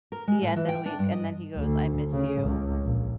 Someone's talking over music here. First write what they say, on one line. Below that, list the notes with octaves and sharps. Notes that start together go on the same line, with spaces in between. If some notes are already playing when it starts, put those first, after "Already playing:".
yeah, and then we and then he goes, "I miss you,
A#4
G#3
A2
E3
G5
D4
G2
D#5
D2
C#3
C#2
A#1